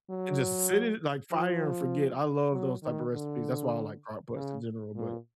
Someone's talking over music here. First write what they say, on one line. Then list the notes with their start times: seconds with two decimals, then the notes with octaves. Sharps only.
and, just, sit it like, fire and forget. I love those type of recipes. That's why I like crock pots in general, but
0.10 F#3
1.32 F3
2.53 F#3
2.83 D#3
3.13 D3
4.35 C#3
4.96 A#2